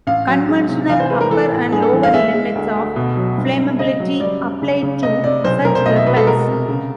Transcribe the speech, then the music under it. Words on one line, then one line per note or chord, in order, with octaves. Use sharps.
Conventional upper and lower limits of flammability apply to such weapons.
A1 F5
F#3
G#3
C3
E3 F5
C5
G#3 B4
A#4
E3 A4
A2
G2 G#4
A4
E3
F5
G#3 E5
G#3
D2
D2
B2
F#3
G1
G2
C#3 D#5
F#3
G3 D5
F#2
C#3
C#3
C3 D#5
C3 D5
B1 C5
B1 A#4
C5
B2 D#5
E5
B2 B4
A4
G#3 A#4
C3
C#3